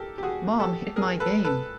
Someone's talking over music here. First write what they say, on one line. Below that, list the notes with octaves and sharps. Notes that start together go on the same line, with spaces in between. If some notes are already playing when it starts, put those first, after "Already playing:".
Mom Hid My Game!
Already playing: G4 A4 A#4
G4
F#4 G#4
G4 A4
G#4 A#4
A4 B4
A4 B4